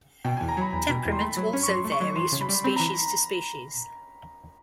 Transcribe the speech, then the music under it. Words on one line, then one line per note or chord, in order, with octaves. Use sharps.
Temperament also varies from species to species.
B2 G5
E2 G#5
A#5
F#3 B5
E2
B2
E2
C6
A3 B5
F#3
C#4
C#6
F#3 C6
A3
C#6
F#3
E3 C6
C#3
B5
G3
C4 B5
A#5
E3